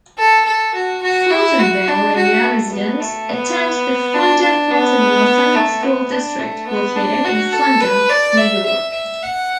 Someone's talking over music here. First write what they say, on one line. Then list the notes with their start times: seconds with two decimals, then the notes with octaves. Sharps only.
Fultonville area residents attend the Fonda-Fultonville Central School District, located in Fonda, New York.
0.18 A4
0.46 A4
0.75 F#4
1.03 F#4
1.31 E4
1.60 F#4
1.88 D4
2.16 F#4
2.44 A3
2.73 B3
3.01 A3
3.29 B3
4.14 D4
4.42 D4
4.71 B3
5.55 A3
5.83 B3
6.12 D4
6.40 A3
6.67 B3
6.96 D4
7.25 F#4
7.52 A4
7.81 B4
8.09 D5
8.38 E5
8.66 E5
8.93 E5
9.22 F#5